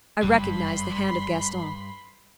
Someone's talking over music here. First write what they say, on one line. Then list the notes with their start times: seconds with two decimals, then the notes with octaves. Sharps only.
I recognised the hand of Gaston.
0.22 F#1 G2 G3 B5 C6